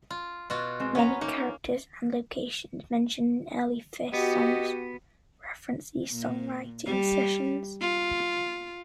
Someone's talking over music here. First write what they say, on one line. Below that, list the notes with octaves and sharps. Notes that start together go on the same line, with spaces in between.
Many characters and locations mentioned in early Phish songs reference these songwriting sessions.
F4
B2 F4 F#4
G#3 C4
B3 C#4 A#5
A#3 D#4
B3 F#4 G4 D#5
A#2
G3
F4